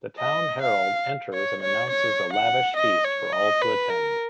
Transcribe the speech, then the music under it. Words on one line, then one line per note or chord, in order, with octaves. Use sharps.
The town Herald enters and announces a lavish feast for all to attend.
D#5
F5
C#5
C#5
C#5
F#5
D#5
C#5
D#5
B4
A#4